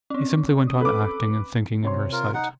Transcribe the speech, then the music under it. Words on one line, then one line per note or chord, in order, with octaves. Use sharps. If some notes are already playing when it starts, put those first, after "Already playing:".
He simply went on acting and thinking in her sight.
C4 C#4
D#6
A4 B4 D6
C3 C#5 C6
F4 A#4
D#4 F#5